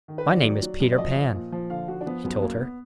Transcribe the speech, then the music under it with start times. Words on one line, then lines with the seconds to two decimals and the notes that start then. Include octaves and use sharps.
"My name is Peter Pan," he told her.
0.08 D#3
0.18 B4
0.26 D#3 D5
0.44 F#3
0.62 F#3
0.80 F#2
0.92 D5
0.98 F3 D#5
1.16 F3
1.35 A#2
1.52 F3
1.70 D3 F5
1.88 F3 F#4
2.01 D4
2.06 F3 B3
2.24 F#2 B3
2.42 F#2 A#3
2.61 B3